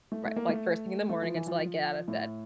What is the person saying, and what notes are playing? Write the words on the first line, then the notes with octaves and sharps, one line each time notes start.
ri like, first thing in the morning until I get out of bed
A3
A3
A#3
A3
A3
F3
E3
F3
F3
A2